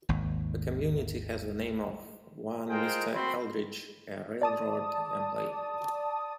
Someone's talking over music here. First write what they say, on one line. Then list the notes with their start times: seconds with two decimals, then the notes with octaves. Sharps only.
The community has the name of one Mr. Aldrich, a railroad employee.
0.09 G#1 D#2
2.69 G#3 F4 G#4 A#4 C5 G5
3.14 C4 F#4 B5 C6
4.42 D5 A5 D#6